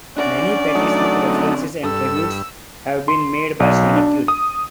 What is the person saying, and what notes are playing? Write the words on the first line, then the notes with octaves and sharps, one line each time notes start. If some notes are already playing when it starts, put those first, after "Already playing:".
Many Patti Smith references and tributes have been made by Sonic Youth.
C#4 D4 F#4 D5
F#3 A3 D#4
D3 C4
G2 A4 E6
C6
B1
D4
D#6